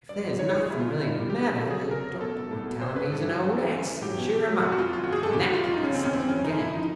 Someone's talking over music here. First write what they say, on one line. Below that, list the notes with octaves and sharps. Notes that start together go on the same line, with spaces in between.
If there's nothing really the matter, the doctor will tell him he's an old ass, and cheer him up; and that will be something gained.
G2 D5
F#3
C#2 C#5
C#5
C#2
G#4
C#2 E4
F4
C#2
E4
D#3 E4
F4
G3 G4
F#2 G4
F#2
F#3 A4
G#4
F#3
A4
F#2 A#4
F#3
B2 A4
B2
C2
B2
G#1 C5
G#1 B4
G2 A4
F#3
E3
E3
C#3
E3
F#3 G4
B2
B2
F#3
F2 F#4
F#4
F2 F4
G1 F4
F#4
G1 G#4
C#2 A4
G4
C#2
F#4
C#2 F4
F4
C#2
D#4
C#3 C#4
C4
E2
C#4
E3 C4
C#3 C#4
D3 D#4
F3 E4
F3 D#4